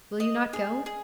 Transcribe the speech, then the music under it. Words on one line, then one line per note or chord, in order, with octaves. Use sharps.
'Will you not go?
D#5
G#4
G#4